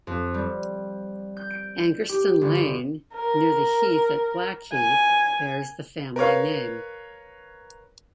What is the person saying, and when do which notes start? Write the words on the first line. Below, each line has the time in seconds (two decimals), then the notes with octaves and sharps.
Angerstein Lane, near the heath at Blackheath, bears the family name.
0.07 F2
0.34 G3
1.37 G6
1.51 D7
2.09 G4
2.41 G1
3.14 A#4
4.72 G#5
6.16 A#4 B4 C#5 F5